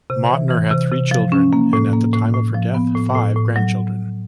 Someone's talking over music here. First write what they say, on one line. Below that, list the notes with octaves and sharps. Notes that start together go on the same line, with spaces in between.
Mautner had three children and at the time of her death five grandchildren.
C3
E3
E3
C3
C3
F3
C#4
A#3
A2
A#3
A2
A2
F3
B3
A2
A2
A2
F#3